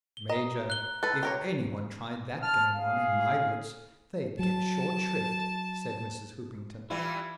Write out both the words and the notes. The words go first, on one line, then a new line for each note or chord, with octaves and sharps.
"Major, if any one tried that game on in my woods they'd get short shrift," said Mrs. Hoopington.
G7
D#5 A#5
F#6 G7
A4 B4 F#6
G4 A#4 C#5
A5 F6
G#4 F5
F#3 A5
E3 G3 E4 F4